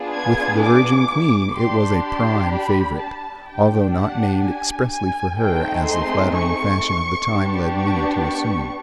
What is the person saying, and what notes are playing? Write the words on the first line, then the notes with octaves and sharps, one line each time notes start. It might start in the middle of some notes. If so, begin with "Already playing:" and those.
With the Virgin Queen it was a prime favorite, although not named expressly for her as the flattering fashion of the time led many to assume.
Already playing: B3 D4 F4 G#4
G#6
D6
D4 G4 C6
C6
B5
A5
D4 G4 G5
F#5
G#5
G#5
A3 C4 D#4 G#4 G5
C6
C#6
B3 D4 G4
C#6
C#6